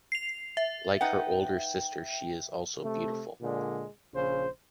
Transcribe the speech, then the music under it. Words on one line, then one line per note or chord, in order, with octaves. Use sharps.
Like her older sister, she is also beautiful.
C7 F7
E5
D#4 B4 F#5 G5
C3 A3
A#2 D3 G#3
A#1 C#3 C5